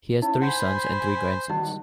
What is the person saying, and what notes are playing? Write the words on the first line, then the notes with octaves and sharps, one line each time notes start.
He has three sons and three grandsons.
C#4 D#4 E4
C5 F#5 G#5 B5
D#3 G3 D#4 F#4